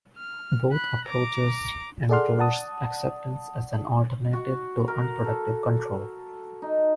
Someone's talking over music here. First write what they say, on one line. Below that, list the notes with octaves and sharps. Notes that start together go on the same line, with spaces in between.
Both approaches endorse acceptance as an alternative to unproductive control.
F6
B5 F#6
A#5 D6
G#4 A4 D5 F#5 C6 F6
D5 F#5 A5 D#6
F#4
A#4
A4
D#4